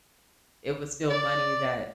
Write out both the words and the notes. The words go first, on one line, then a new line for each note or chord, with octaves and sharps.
it was still money that
D5